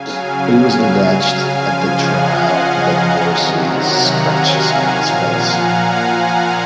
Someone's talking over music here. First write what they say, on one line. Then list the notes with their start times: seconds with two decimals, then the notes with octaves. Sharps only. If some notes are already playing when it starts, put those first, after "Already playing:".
It was alleged at the trial that Morrissey had scratches on his face.
Already playing: C#3 F#3 F5 G#5
0.23 F5 G#5
1.50 C#3 F3 F5 G#5
1.92 D#5 F#5
2.35 F5 G#5
2.77 F#5 A#5
3.19 C3 D#3 F#3
3.61 F#5 A#5
4.03 F5 G#5
4.87 A#2 F3 F5 G#5
5.29 F#5 A#5
5.71 F5 G#5